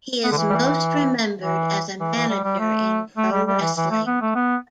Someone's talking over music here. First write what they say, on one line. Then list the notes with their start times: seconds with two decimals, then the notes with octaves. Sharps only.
He is most remembered as a manager in pro wrestling.
0.24 B3
0.32 D3
0.38 E3
0.49 G3
0.53 E3
1.42 E3
2.00 E3
2.15 E3
2.29 G3
2.44 G3
2.59 A3
3.18 A3
3.32 G3
3.47 G3
3.61 E3
3.77 E3
3.91 A3
4.07 B3
4.21 A3
4.35 B3